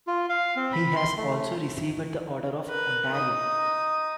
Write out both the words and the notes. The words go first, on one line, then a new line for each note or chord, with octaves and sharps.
He has also received the Order of Ontario.
F4
F5
C4
B5
C6
A3
A#4 B4
D#4 D#6